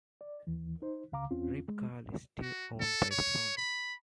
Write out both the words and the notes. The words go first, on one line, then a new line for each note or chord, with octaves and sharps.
Rip Curl is still owned by the founders.
D5
D#2 E3
D#4 C5
C#2 C#3 F5 A#5 D6
E2 C4 C#4 F4
G#3
F#4
A4
C#5
B5